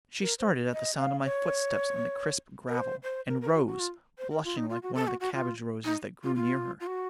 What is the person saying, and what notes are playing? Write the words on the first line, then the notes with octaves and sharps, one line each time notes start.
She started at the sound of my footsteps on the crisp gravel, and rose, blushing like one of the cabbage-roses that grew near her.
A#4
C5
D#5
F5
C#5
A#4
C5
C5
A#4
A#4
F#4
F#4
F4
C5
A#4
F4
D#4
F4
F#4
A4
F#4
F#4
F4
D#4
F4
F4
F4
F#4